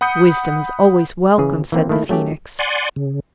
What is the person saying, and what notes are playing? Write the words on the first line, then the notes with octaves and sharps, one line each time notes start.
'Wisdom is always welcome,' said the Phoenix.
F#5 B5 D#6 G6 C#7
C#3 E3 G#4
E3 A#3 C4
D#3 A3 A#3 E4
F#3 A3 C#4 G4
D5 F#5 G#5 C6
C#3